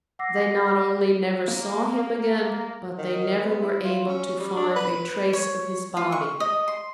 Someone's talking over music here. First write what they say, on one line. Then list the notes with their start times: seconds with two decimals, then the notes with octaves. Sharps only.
They not only never saw him again but they never were able to find a trace of his body.
0.19 F#5 D6 E6 A#6 C7
1.48 A#3
2.98 D#3
3.43 B3
3.62 E4
3.84 F4
4.08 C#4
4.40 G3
4.56 D4
4.76 B4
5.33 C#5
5.97 F4
6.12 C#6
6.40 D#5
6.68 C6